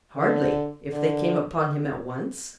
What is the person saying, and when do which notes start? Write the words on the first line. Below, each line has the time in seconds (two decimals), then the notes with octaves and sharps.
Hardly, if they came upon him at once.
0.17 D3
0.91 D3